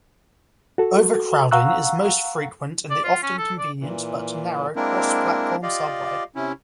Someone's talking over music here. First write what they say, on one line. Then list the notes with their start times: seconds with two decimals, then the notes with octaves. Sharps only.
Overcrowding is most frequent in the often convenient but narrow cross-platform subway.
0.78 F#4 A4
1.51 F5 F#5 A#5 C#6 E6 F#6
2.90 D5
3.04 F4
3.23 C#4
3.38 A4
3.59 D5
3.79 A#2 E3
4.76 G#3 A#3 C4 D4 E4 A#4
5.63 F4 G4 D5 D#5 F5
6.35 C3 C#4 E4